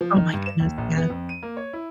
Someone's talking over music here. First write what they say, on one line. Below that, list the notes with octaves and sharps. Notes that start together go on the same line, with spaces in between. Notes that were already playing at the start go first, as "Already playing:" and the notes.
Oh, my goodness, yes.
F3
D#3
G2
E7
D#2
A#1
B3
F2
D#7
A#3
C#5
E4